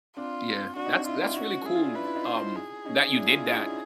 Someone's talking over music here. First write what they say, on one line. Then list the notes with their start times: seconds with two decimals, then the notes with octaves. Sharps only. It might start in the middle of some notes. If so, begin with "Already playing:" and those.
Yeah, that's that's really cool, um, that you did that,
0.17 C4 D4 F4
0.76 D4 F#4
0.86 D#4
0.95 C4 D4
1.06 E4 F4
1.14 D#4
1.21 D4 E4
1.31 E4
1.36 C#4 D#4 F#4
1.65 E4 G#4
1.75 F4
1.84 D4 E4
1.95 D4 E4 B4
2.06 E4
2.16 D#4 F4
2.25 C5
2.36 D#4 F4
2.56 G#4
2.85 C#4 D#4
3.15 D4 E4
3.28 F4
3.35 D4 E4
3.51 E4
3.54 C#4 D#4
3.69 D#4